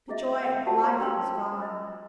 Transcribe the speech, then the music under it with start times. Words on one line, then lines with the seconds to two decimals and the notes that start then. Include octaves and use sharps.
The joy of life was gone.
0.08 E4 G#4 D#5 E5
0.66 F4 G4 A#4 D5 F#5 A5
0.83 C5 C#5 A#5 C6
1.00 C#4 G4 B5 C6 E6
1.62 D#5 E6